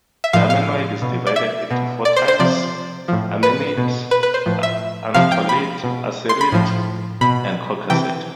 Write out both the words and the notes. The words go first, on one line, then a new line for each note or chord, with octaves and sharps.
The Armenoid is divided into four types: Armenid, Anatolid, Assyrid, and Caucasid.
E5
A2 F3 F5
F5
B2
D5
E5
B2
D5
C5
C5
C3 F3 D5
A2 F3
B4
B2
B4
B4
C5
A2 F3
E5
C3 F3 F5
G5
B5
B2
C6
B5
A2 F3
B2 B5
C3 E3 G5